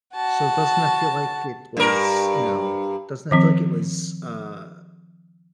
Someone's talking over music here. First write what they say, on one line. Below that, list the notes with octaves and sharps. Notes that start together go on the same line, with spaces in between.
So, doesn't that feel like it was, you know doesn't that feel like it was, uh,
F#4 A5
G2 A#4
D#3 F3 C4